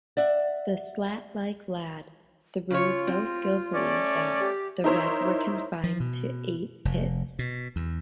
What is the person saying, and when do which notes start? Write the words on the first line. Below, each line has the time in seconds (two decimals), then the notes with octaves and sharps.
The slat-like lad threw so skillfully that...the Reds were confined to eight hits.
0.17 D5 E5 F#5
2.71 C#3 F4 C#5
3.07 C4
3.73 A3 C#4 D5
4.40 G4
4.84 D#4 E4 A#4 C5 C#5 E5
5.84 F3
6.00 B2
6.85 F1
7.39 B2
7.76 E2